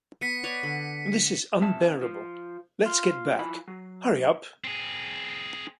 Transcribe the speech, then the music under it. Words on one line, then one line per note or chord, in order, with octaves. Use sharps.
This is unbearable; let’s get back... hurry up.
B3 B6 C#7 D#7
B4 C#5 D5
D3
F2 E5 A5
F3
F4
F3 E4 B5
F#3
C4 G#4